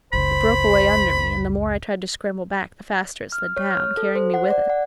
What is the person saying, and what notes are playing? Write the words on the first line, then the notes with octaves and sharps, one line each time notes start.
It broke away under me and the more I tried to scramble back the faster it slid down, carrying me with it.
F#1 C#2 C#3 C5 B5
F6
C#5
F6
A4
C5
F#5
D5
F#5